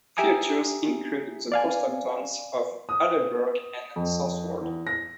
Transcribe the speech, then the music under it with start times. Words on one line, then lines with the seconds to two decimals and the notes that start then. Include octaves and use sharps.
Features include the coastal towns of Aldeburgh and Southwold.
0.17 G4 E5 G#5 A#5 D#6
1.52 D5 F5 G#5
2.89 D#6
3.96 F2
4.61 E2
4.87 A#6